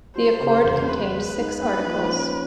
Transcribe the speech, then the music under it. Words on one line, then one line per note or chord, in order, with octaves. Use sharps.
The accord contained six articles.
F#3 C5
C#3
E2
B3 B4
G#3
D#4
A#3 B4
F3
C#4